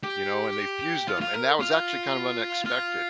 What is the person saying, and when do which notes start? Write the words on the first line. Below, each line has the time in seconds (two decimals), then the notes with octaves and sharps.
you know, and they fused them, and that was actually kind of unexpected,
0.03 G4
1.08 F4
1.21 F4
1.34 A#4
1.60 F4
2.65 F4